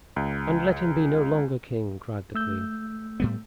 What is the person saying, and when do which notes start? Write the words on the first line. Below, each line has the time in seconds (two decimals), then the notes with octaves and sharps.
"And let him be no longer king," cried the queen.
0.16 C#2
2.35 A3 E6 G6
3.20 A2 G3 B3